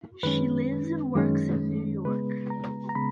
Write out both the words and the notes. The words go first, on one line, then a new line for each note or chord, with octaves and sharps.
She lives and works in New York.
F#2 D#3 G#3 C#4 B4
F#2 D#3 G#3 C#4
C#3 G#3 B3 B4
A#5
A#5
C#3 G#3 B3 B5